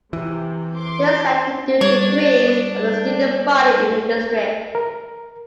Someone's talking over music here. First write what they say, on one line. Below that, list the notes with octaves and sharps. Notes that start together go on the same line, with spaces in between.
This led to the decrease of the student body in the district.
C3 E3
C6 D6
G3 D4 C#5
A#4